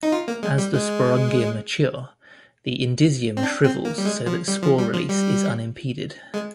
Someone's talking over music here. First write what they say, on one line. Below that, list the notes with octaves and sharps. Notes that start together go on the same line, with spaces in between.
As the sporongia mature, the indusium shrivels so that spore release is unimpeded.
D#4
F4
A#3
G#3
G3
G#3
C4
D4
C4
A#3
G3
G#3
F3
G3
F3
G3
F3
G3
G#3